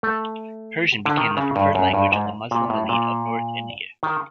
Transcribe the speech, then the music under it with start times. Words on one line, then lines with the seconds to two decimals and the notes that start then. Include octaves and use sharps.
Persian became the preferred language of the Muslim elite of north India.
0.03 A3
1.05 D3
1.17 D#3
1.37 C#3
1.56 G2
1.75 F#2
1.94 G2
2.12 G#2
2.51 A#2
2.70 A2
2.89 A#2
4.03 D#3